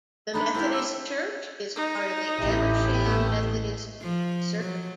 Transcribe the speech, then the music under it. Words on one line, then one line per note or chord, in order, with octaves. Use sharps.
The Methodist church is part of the Amersham Methodist Circuit.
G#3 D4 D#4 B5
C4 E4 F4 G4
E6
D#4
A1 E4 G4
A3
F3
F#3